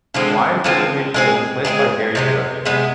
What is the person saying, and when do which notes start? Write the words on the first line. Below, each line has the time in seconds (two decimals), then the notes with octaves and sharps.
Wine cultivation was replaced by dairy production.
0.14 D3 F3 G#3 C4
0.64 D3 F3 G#3 C4
1.14 G#3 C4 E4 G#4
1.65 G#3 C4 E4 G#4
2.15 C3 G#3 B3
2.65 C3 G#3 B3